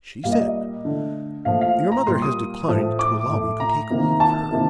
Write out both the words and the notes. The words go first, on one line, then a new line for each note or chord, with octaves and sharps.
She said, 'Your mother has declined to allow me to take leave of her.
A#2 G3 A#3 F5
D#5
D5
D#5
D3 A3
A#2 F3 A3 F5
F5
A#5
A#2 G3 A#3 C6
D#6
A2 F3 A3
D6
A2 A3
A#5
C3 D#3 A#3
A5
C3 D#3 A#3